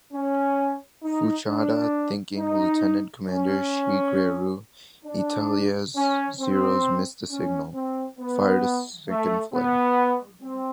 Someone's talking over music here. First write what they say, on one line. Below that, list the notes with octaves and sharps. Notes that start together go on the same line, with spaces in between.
Fuchida thinking Lieutenant Commander Shigeru Itaya's Zero's, missed the signal, fired a second flare.
C#4
D#4
D4
D#4
C#4
D4
C#4
C4
C#4
C4
B3
A3
B3
C4